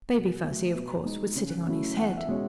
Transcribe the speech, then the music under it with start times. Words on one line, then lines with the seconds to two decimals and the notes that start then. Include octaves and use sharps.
Baby Fuzzy, of course, was sitting on his head.
0.14 B2
0.44 F#3 A3
0.74 B2 B4
1.05 G#3 D#4
1.36 C#3
1.67 F#3 A3 C#4 E4
1.96 E2 F#5
2.17 E5
2.27 B2 G#3 C#4 C#5